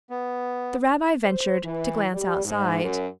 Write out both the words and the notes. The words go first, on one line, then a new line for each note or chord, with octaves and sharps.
The rabbi ventured to glance outside.
B3
C5
E3
G3
G#2
F#2